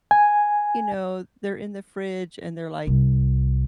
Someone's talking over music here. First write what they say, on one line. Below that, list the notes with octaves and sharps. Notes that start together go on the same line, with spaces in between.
you know, they're in the fridge and they're, like
G#5
C2